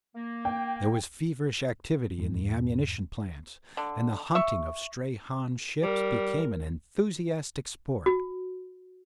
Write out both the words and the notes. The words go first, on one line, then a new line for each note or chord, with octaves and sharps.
There was feverish activity in the ammunition plants, and the hunting of stray Han ships became an enthusiastic sport.
A#3
G5
E2 G#2
D3
E5 C#6
G3 A#4
F#4